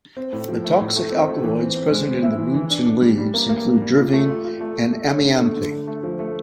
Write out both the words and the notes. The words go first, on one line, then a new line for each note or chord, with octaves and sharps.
The toxic alkaloids present in the roots and leaves include jervine and amianthine.
C4
A2
F3
A3
A2
A3
C4
A3
E3
C4
C4
G#3
C4
E4
E3
E3
D4
D4
G3
G3
A#3
A#3
G3
G3
F4
A3
F4
F4
A3
A3
A3
C#4
D3
A3
D3
D3
A3
F3
A3